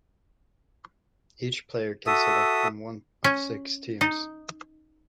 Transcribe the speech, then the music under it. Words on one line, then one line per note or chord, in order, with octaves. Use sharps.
Each player can select from one of six teams.
F#4 A4 E5 D#6
C#4
D#4